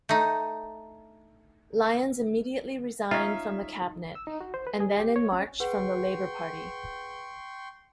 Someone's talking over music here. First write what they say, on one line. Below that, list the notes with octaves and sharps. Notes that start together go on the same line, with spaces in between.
Lyons immediately resigned from the Cabinet, and then in March from the Labor Party.
A3 D#4
C#4 D#4 F4 E5
E6
D#4
F#4
C5
B4
G#4
G4
C#5
C#4
G#4 B4 F#5 G5 C6 C#6